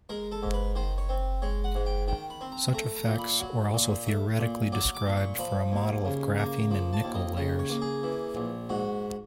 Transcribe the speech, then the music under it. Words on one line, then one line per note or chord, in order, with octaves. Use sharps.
Such effects were also theoretically described for a model of graphene and nickel layers.
G#3 A#4
A4
G#2
B4
D#3 C5
C#5
C4
G#3 C#5
F#5
G#2
G5
D#3 G5
B5
C4
A#5
A3 A#5
A#5
A#2
B5
F#3
A#2
A3
A#2
F#3 D6
D6
A#2
C#6
F3 B5
D#2
C#3
A#3
F3
A5
D#2
D#5
C#3 D#5
C#5
A#3
G#4
E3
A#1
G#2 F#4